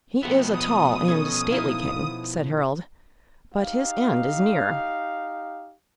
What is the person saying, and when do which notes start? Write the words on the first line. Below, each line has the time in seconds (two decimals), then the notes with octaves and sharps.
'He is a tall and stately king,' said Harold, 'but his end is near.'
0.23 B2 F3 B3 E5 F#5 G5
0.54 D#6
1.08 C#4 A4
1.51 D#4 E4 F5
3.55 D#4 G4 F5